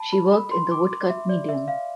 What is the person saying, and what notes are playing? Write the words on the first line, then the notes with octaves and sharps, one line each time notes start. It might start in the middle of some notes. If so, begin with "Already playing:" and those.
She worked in the woodcut medium.
Already playing: A5 B5
B5
B5
C6
D6
E5
D5
E5
F5